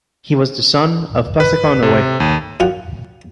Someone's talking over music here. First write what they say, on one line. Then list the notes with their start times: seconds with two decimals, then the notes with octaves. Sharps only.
He was the son of Passaconaway.
1.40 B4
1.82 C3
2.20 D#2
2.60 F#2 F4 F#5 G5